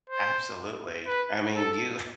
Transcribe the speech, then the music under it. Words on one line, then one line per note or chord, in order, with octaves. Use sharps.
Absolutely. I mean, you
C5
B4
A4